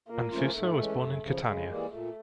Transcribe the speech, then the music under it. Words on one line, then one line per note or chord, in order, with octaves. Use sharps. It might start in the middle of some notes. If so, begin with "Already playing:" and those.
Anfuso was born in Catania.
A#2 A#3
F3 A3 C#4 F4
G#2 A3
E3 G#3 C#4
F#2
C#3 F3
C#3 G#3
E3 G3 A#3
A#2 A3